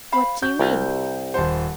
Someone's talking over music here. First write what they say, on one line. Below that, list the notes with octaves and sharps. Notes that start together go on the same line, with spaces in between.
What do you mean?
C5 F5 B5
F#4 G6
C2
D#1 C5 F#5 A5